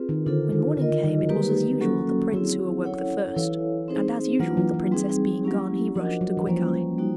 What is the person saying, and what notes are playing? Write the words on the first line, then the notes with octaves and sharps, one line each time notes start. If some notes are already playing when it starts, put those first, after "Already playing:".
When morning came, it was as usual the prince who awoke the first, and as usual, the princess being gone, he rushed to Quickeye.
Already playing: C4 F4 G#4 B4
D#3
D3 D4 F4 A4 C5
D#3
D3 F4 A#4 D#5
D#3
F#3
G3 A#3 D#4 G4 B4
F#3 A#3 C#4 F#4 A4
F#3 C4 E4 G#4
C#4 E4 A4 C#5 F#5
E3 E4 A4 C#5 F5
C4 D#4 G#4 C5
E3 F#3 A#3 D4 F4
E3
E3
G3 C4 D#4 G#4
F#3 A#3 C#4 E4 G4
F3 D4 F#4 A#4 D#5 F#5
F#3
E3
F3 G3 A#3 C#4
G3 A#3 D#4 F#4